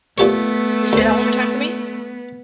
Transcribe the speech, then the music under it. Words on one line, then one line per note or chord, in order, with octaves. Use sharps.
Say that one more time for me.
A#2 A3 B3 G4 C#5
D2 C5